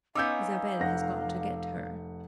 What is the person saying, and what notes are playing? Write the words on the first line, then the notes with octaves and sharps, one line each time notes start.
Isabel has gone to get her.
B3 C#4 D#4 F5 D6 E6 G6
F1 F#5 A#6